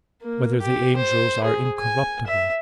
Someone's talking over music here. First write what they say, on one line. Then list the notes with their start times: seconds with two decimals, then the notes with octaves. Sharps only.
Whether the Angels Are Incorruptible?
0.22 A#3
0.61 G4
0.96 C5
1.44 G#4
1.79 G#5
2.27 E5